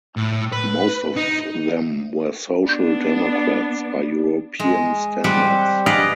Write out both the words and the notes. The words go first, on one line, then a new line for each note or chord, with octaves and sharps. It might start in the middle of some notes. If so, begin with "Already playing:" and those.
Most of them were social democrats by European standards.
A2
B4
D#4
B3 D4
G#3
G3 C4 G4 F#5
G#4 B4 D5 D#5 F5 F#5